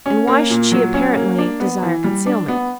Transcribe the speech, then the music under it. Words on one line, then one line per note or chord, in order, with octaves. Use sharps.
And why should she apparently desire concealment?
C#4
A#3
A#2
F#3
C#4
A#3
D4
B3
E3
G3
D4
B3